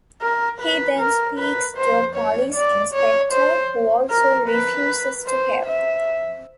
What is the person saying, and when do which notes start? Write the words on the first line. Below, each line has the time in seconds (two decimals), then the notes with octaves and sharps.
He then speaks to a police inspector who also refuses to help.
0.22 A#4
0.61 B4
1.00 A#4
1.39 B4
1.77 C5
2.16 C#5
2.55 D5
2.94 C#5
3.33 C5
4.10 A#4
4.49 B4
5.27 C5
5.66 E5